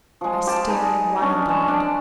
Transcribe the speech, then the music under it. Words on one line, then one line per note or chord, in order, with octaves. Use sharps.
I stared, wild-eyed.
F3 G#3
G4 F5 A5
D#4 G#4 B4
C#4 D4
G#3 A5
D4